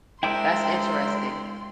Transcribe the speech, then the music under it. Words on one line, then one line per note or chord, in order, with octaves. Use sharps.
That's interesting.
G#3 D4 E4 A#4 C5 E5 G5 C6